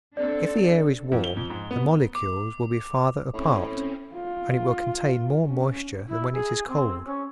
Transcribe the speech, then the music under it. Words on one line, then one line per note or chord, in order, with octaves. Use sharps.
If the air is warm the molecules will be farther apart and it will contain more moisture than when it is cold.
C4 D4 A4 D5
F2
G7
F2
G#2
B3
D6
A2 C4 C#4
F4
C#4
E4
G#4
C4
C#4